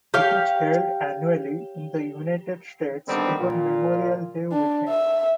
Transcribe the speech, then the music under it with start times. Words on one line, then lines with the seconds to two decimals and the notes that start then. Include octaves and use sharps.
It is held annually in the United States over Memorial Day weekend.
0.14 G4 C#5 F5 G5
3.07 D3 D#3 G3 B3 C4 D4
3.41 A#2 F4
4.52 D4
4.88 E5